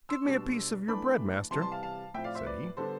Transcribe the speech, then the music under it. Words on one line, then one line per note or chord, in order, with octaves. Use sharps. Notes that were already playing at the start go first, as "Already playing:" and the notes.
"Give me a piece of your bread, master," said he.
C6 E6
B2 G3 D4
E3 A3 D4 B5 D6
C3 E3 G3 A5 C6
A5 C6
F5 A5
F5 A5
A2 F3 C4 E5 G5
D5 F5
C5 E5
B4 D5
D3 G3 B3 D4 A4 C5